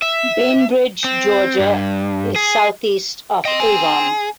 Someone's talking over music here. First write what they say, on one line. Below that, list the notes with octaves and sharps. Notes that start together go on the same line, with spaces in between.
Bainbridge, Georgia, is southeast of Avon.
E5
C4
G2
G#4
D#5 G5 C6
G#4